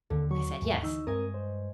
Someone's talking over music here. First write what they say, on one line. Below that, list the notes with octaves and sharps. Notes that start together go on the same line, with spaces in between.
I said yes.
D#2 D3 A#3 A4
F#3 C#6
D#2 G#2 G3
D2 E3 D#4 E6
G2 G#3 C4 A#4 D#5 G#5
C5